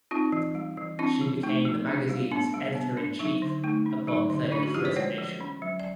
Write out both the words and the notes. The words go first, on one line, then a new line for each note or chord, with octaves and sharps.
She became the magazine's editor-in-chief upon Thayer's resignation.
C4 D#4 F4
E3
G3
E3
C4 D4 E4
F3
A3 D#4
F3
D4
G3
B3 D4
G3
B3
D4
F#3 D#4
D3
A3 D#4
C#4
F#3 D#4
D3
C#4 D4 E4
E4 F#4
F3 F4 G4
B4 C#5
G#3 C5 D5
F3
C#4
F#3
D5